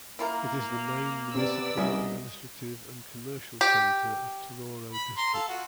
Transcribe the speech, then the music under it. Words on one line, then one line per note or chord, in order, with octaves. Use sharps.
It is the main municipal, administrative, and commercial center of Tororo District.
A#3 E4 F4 A#4
C3 B3 D5 E6
C2 C#4 D#5 E5
G4
B5
A#5 C6
A4 F5
F4 F#4